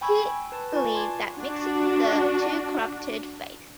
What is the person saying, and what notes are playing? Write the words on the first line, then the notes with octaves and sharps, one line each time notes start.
He believed that mixing the two corrupted faith.
G5 G#5 B5 C#6 E6 G#6
B4 A5
F4 D5 G#5 C#6
A5 C6 D6 G#6
D4 F#4